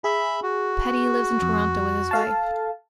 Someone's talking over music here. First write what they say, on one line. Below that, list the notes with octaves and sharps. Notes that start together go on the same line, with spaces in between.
Peddie lives in Toronto with his wife.
G#4 E5 B5
F#4
F2
A4 F5 A5